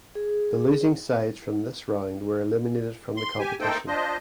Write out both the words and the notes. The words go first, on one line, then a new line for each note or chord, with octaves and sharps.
The losing sides from this round were eliminated from the competition.
G#4
C6
G4 G#5
A3 A#3 D#4 A4 C5 G5
D4 F4 C5 D#5